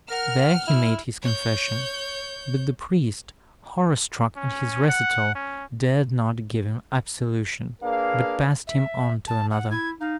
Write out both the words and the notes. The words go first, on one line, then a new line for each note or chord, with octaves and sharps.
There he made his confession; but the priest, horror-struck at his recital, dared not give him absolution, but passed him on to another.
A#4 F#5 F6
E4
C#5 G6
C#4
F#5
C#4
A#3 D4 G#4 A#4 B4 F5
E5
A5
F#5
E4 G#6
D#4 F5